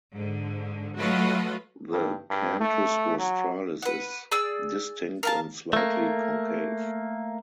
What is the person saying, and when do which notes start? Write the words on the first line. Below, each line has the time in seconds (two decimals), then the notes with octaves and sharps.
The canthus rostralis is distinct and slightly concave.
0.13 G#2 D3
0.97 F#3 A3 F4 F#4 B4 D#5
1.92 G2
2.30 G2
2.60 A3
3.19 F#3
3.82 B4 F#5
4.32 G#4 D5 E6
5.23 A#4 F5 A5
5.73 A3 A#3